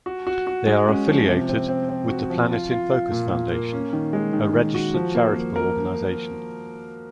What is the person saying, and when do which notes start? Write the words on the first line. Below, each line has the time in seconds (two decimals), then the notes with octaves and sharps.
They are affiliated with the Planet in Focus Foundation, a registered charitable organization.
0.06 F#4
0.27 F#4
0.47 F#4
0.67 G#3
0.88 C#4
1.08 F3
1.28 C3
1.49 C4
1.68 C4
1.89 C4
2.10 F#4
2.30 F3
2.51 F4
2.71 F4
2.91 F4
3.12 A#2
3.32 A#2
3.52 A#3
3.73 C#4
3.93 D#3
4.13 G#3
4.33 D#3
4.54 D#3
4.75 F#4
4.94 F3
5.15 A#3
5.35 A#3
5.56 A#4